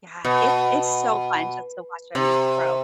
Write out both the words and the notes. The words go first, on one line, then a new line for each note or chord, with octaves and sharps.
Yeah, it's it's so fun just to watch them grow.
B2
C3